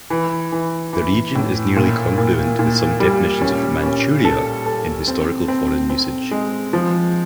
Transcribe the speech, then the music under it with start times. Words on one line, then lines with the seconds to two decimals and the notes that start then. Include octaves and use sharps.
The region is nearly congruent with some definitions of "Manchuria" in historical foreign usage.
0.10 E3
0.52 E3
0.93 E3
1.35 A2
1.76 A#2
2.18 A#2
2.59 A#2
3.00 G3
3.42 C#4
3.83 C#4
4.25 A4
4.66 A4
5.08 C4
5.48 C4
5.90 C4
6.31 G#3
6.73 F3